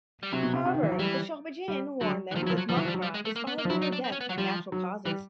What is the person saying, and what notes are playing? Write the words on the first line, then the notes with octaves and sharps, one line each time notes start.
However, the Shobijin warn them that Mothra is already near death by natural causes.
G3
C3 F#3
B2
C3
C3
D#3
E3
F#3
E3 G3
G3
D3 F#3
E3
D#3 F3
F#3
E3
F3
F#3
F3 G3
E3 F#3
F3
G3
F#3
G3
G#3
A3
A#3
B3
A#3
F3
F#3 E4
D#4
D4
C4
C#4
B3
F#3
F3 G3
F#3
E3 G3